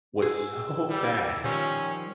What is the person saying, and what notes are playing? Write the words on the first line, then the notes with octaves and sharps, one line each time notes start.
was so bad,
G#4 E6
G3
D#3 F3 G3 C#4